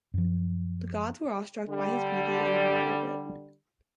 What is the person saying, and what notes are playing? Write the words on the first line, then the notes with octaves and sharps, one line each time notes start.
The gods were awestruck by his beauty and admired it.
F#2 F3
D3 G3